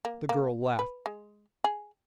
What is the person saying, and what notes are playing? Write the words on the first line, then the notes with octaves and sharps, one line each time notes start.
The girl laughed.
A#3
A#3
B4
G#3
G#4